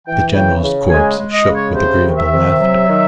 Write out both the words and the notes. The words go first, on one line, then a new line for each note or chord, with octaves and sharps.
The general's corpse shook with agreeable laughter.
E3 G5
C#3 G5
C#3
G#3 G#5
G#3
D#5
C#3
C#5
C3 C5
D#3
E5
C3
F#3
D#3